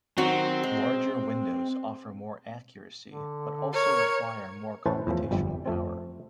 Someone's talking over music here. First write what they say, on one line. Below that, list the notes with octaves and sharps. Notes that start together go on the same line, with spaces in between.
Larger windows offer more accuracy but also require more computational power.
D#3 F#3 C4 F#4
G#3
D3
A#4 C#5
A2 E3 C#4 B4 C5 A5
E2 A2 E3 F3
G1 F2 G3
F2 A3 C4